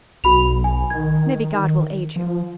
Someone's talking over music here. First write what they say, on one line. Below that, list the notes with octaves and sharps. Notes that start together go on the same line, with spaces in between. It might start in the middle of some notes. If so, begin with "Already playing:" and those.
Maybe God will aid you.
B1 F#4 B5 F7
G#5
D#3 G#6
F3